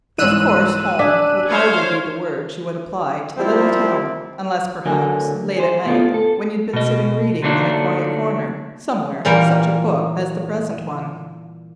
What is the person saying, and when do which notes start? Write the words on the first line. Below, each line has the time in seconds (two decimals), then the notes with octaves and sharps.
But of course "home" would hardly be the word you would apply to the little town, unless perhaps, late at night, when you'd been sitting reading in a quiet corner somewhere such a book as the present one.
0.18 C2 G#2 E3 E6 F#6 D#7
0.99 D4 G#4 B6
1.48 C5 C#5 F5
3.36 F3 G3 A#3 C4 E4
4.85 D2 D3 F#3 A#4 G#5
5.57 G#4 C5
5.86 A2 C3 B3 F4 A4
6.14 A4
6.73 B2 D#5
7.42 D3 F#3 A3 A#3 D4 D#4
9.25 A#2 E3 G3 A#3 A#4